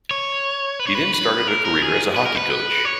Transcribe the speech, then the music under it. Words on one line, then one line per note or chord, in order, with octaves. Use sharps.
He then started a career as a hockey coach.
C#5
B4
C#5
B4
B4
A#4
A#4
G#4
B4
A#4
B4
B4
C#5